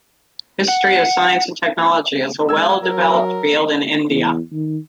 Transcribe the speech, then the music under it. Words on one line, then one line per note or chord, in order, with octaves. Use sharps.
History of science and technology is a well developed field in India.
F#5
G#3 E6 G#6
F#3 A#4
E2
D#3